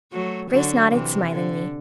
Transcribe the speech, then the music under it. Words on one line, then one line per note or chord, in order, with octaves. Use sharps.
Grace nodded smilingly.
F#3 A3
D3 F#3
C3 E3
D3